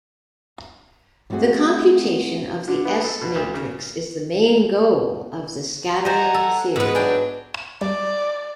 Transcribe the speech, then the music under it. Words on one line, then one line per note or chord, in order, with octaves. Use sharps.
The computation of the S-matrix is the main goal of the scattering theory.
G3 A3 C4 F#4 G#4
D3
B3
A4
B2
D2
C#3
C5 D#5 F#5 G#5 A#5
A4
G#2 G#3 B3 B4
F#3 D4 G#4 G5
G3 D5